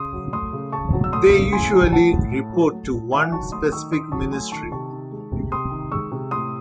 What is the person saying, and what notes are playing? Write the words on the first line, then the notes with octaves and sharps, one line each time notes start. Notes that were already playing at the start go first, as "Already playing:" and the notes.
They usually report to one specific ministry.
Already playing: C#3 C6 D#6
F#3
A3 C6 D#6
C#3
C#3 A5 C#6
F#3
E6
A3 C6 D#6
C#3
A2 G#5 C6
F#3
A3 F#5 A5
A2
A2
F#3
A3
A2
D#3 E5 G#5
F#3 A5 C#6
A3 C6 D#6
D#3 C#6 E6
D#3 C6 D#6
F#3 A5 C#6
A3 G#5 C6
D#3 A5 C#6
C3 A5 C#6
D#3
G#3
C3
C3 C6 D#6
D#3
G#3 C#6 E6
C3
A2 C6 D#6